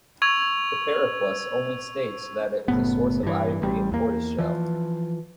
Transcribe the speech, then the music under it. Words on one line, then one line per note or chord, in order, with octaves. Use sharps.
The "Periplus" only states that it was a source of ivory and tortoise shell.
C#6 E6 G#6 F7
F#1 A2 B3
G2 E3
A1 G3
E2 A#3
E3 F3